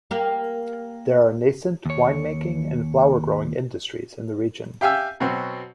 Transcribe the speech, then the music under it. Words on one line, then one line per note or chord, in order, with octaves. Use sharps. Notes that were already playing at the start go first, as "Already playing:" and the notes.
There are nascent wine-making and flower-growing industries in the region.
A#3 G4 A#4
D#2 C#5
G4 E5 F5 G5 G#5 E6
B2 F#3 C4